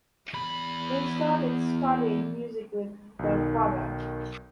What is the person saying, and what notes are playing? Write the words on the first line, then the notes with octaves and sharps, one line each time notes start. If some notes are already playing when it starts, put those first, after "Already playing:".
They started studying music with their father.
E2 B5
B1 D#3